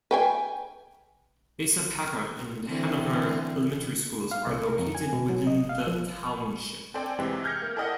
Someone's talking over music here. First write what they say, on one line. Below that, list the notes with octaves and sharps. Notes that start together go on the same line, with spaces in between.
Asa Packer and Hanover elementary schools are located within the Township.
B4 G5 G#5
D3 E3 C4
F5
C2
A#4
F2
G#5
B2
F#3
D#5
F5
F3
C4 A4 C5 D5 G5 G#5
G#2 C3 E3 G#3 C4
F6 G6 G#6 A#6 C#7
A#3
E4 A4 A#4 D5 D#5 F#5